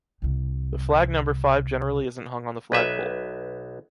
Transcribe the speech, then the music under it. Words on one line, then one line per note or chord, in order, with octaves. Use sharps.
The flag number five generally isn’t hung on the flagpole.
C2 C3
B1 B4 E5